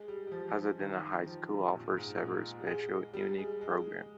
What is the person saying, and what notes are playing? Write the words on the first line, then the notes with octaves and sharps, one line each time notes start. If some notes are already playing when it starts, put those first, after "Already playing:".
Pasadena High School offers several special unique programs.
Already playing: G#3
G3
G3
F3
D#3
F3
C3
A#2
G#2
A#2
G3
G#3
G3
G#3
G#3